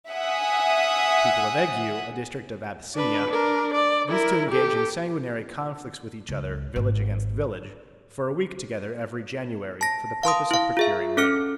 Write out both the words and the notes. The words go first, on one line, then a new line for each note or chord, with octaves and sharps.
The people of Egghiou, a district of Abyssinia, used to engage in sanguinary conflicts with each other, village against village, for a week together every January for the purpose of procuring rain.
E5 F#5 G#5 D#6
D4 B4
D4 A#4
D5
E4 A#4
G4 A4
C#2
G#1
A5 A#6
F5 A5 C6 D#6
E4 F5
F4 G#4 E5
C#4 A4 F6 C#7